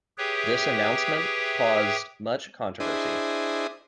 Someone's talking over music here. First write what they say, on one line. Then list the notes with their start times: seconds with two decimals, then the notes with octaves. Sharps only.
This announcement caused much controversy.
0.18 G4 G#4 B4 C#5 E5 G5
2.80 D4 E4 G#4 C5 D#5